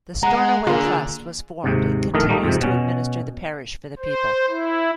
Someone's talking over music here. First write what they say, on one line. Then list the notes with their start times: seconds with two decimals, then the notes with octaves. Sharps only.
The Stornoway Trust was formed and continues to administer the parish for the people.
0.23 G#3 F#5 A#5
0.67 D3 A#3 F4 G#4
1.64 D#2 G#2 C3
2.14 A#1 A2 D#3 A3 A#4 D#5
2.29 G3 A3 A#3 D#4
2.44 F2 G#2 C3
2.61 B2 C#4
3.99 C5
4.49 E4